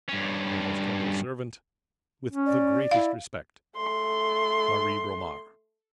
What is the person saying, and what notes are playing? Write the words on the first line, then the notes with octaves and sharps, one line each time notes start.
'Your most humble servant, 'With the greatest respect, 'MARIE BROMAR.'
G2 C#4
C#4
D5
E4 F5
A3 C6